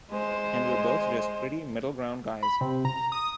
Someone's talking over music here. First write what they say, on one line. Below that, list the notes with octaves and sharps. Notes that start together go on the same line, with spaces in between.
And we're both just pretty middle-ground guys.
G#3 C5
B5
C3
A#5
D#6